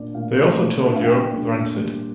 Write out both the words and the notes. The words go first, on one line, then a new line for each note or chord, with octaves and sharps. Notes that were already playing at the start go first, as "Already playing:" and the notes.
They also toured Europe with Rancid.
Already playing: A#2 D4 D5
A#2 F5
A3
A#2
D4 E5
F5
A#2 G5
D4
A#2
G3